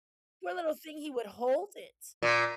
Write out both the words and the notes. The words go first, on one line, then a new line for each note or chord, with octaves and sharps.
Poor little thing, he would hold it.
A#2